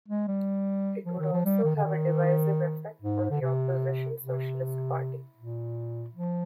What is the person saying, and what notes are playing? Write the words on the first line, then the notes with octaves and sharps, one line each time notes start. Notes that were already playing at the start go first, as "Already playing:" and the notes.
It would also have a divisive effect on the opposition Socialist Party.
G#3
G3
F3
D#3
F3
G3
D#3
D3
D#3
G#2
D3
C3
C3
A#2
F3